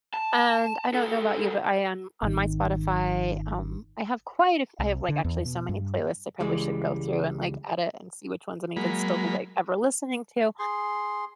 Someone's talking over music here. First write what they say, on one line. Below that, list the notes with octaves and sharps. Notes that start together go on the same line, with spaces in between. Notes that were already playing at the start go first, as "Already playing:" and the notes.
And I don't know about you, but I am on my Spotify, um, I have quite a f I have, like, actually so many playlists I probably should go through and, like, edit and see which ones I'm even still, like, ever listening to,
A5
C#2 A4
G#1 D#3
C2
D3
E2
B2
G2
C#2 E3 G3 G#3
F#3 G#3 A#3 B5
G#4 C6